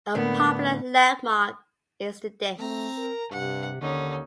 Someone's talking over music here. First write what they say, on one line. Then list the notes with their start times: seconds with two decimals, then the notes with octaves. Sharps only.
A popular landmark is the Dish.
0.15 A2 D3 A#3 B3
2.58 A3 C4 A#5
2.98 A#4
3.31 G2 C3 F#5
3.81 D#2 D3 C#4 D#4